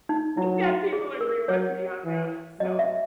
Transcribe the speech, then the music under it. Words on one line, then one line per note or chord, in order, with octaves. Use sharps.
that people agree with me on that, so
D#4
F#3 E4
F#4
G#4
A#4
F#3 C#5
E3
F#3 D#5
E5